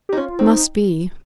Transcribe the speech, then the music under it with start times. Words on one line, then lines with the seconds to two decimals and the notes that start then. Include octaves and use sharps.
Must be.
0.09 G4
0.13 D#4
0.17 C#4 F4
0.39 C4 D#4